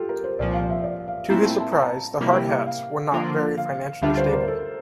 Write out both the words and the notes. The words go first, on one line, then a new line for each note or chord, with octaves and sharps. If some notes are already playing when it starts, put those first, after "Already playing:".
To his surprise, the "Hardhats" were not very financially stable.
Already playing: F4 G4 A4
A#4
C5
C2 A#2 F3 D5
F5
E5
D5
F5
A#2 A3 C4 E4 A#5
A5
A5
A#5
A5
C3 G3 A#3 E4 G4
F5
D3 F3 A#3 F4
F5
D2 D3 G3 D4 F4 E5
C5
A#4
A4